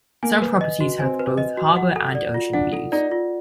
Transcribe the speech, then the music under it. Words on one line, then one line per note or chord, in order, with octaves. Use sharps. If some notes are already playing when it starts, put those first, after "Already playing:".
Some properties have both harbour and ocean views.
A#3 G#5
B4
D#5
F#4
C4 G#5
B4
D#5
F#4
F#5
A4
D5
F4
D4 F#5
A4
D#4 D5
F4